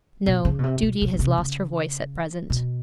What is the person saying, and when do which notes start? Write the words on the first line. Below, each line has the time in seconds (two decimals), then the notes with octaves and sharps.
'No, duty has lost her voice at present.'
0.26 B2
0.45 C#3
0.59 B2
0.64 C3
0.82 B2
1.02 B2
1.13 B2
1.19 C3
1.38 C#3
2.50 B2